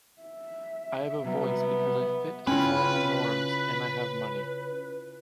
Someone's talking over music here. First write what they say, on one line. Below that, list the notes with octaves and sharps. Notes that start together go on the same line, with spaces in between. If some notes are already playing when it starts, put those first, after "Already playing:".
I have a voice because I fit societal norms and I have money.
E5
C3 F#3 G3 B3
C#3 C#4 E4 F4 B4 G5